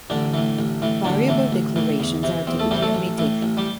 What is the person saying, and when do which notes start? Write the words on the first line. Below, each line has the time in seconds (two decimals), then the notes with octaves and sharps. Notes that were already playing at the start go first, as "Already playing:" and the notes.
Variable declarations are typically omitted.
0.10 A1 D3 D4
0.34 A2 E3
0.58 A1
0.82 A2 E3
1.05 A1 D3 D4
1.28 A2 E3
1.52 A1
1.76 A2 E3
2.00 E2
2.23 C3 E3
2.47 E2 C4
2.60 A3 A4
2.71 C3 E3 G3 G4
2.83 A3 A4
2.95 A1
3.18 A2 E3
3.42 A1
3.57 G3 G4